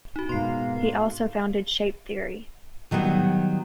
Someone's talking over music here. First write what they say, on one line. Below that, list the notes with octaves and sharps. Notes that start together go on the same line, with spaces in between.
He also founded Shape theory.
D#4 F#4
G#2 B2 A#3 C6 C7
D#3 F#3 G3 B3